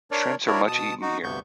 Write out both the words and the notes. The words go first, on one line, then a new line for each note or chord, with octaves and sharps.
Shrimps are much eaten here.
D4 A#4 C#5 D5
D4 E4 F#4 A#4 C#5 D5
B2 A5 D#6
D#4 F#4
D2 G2 C3 B3 C#6 G6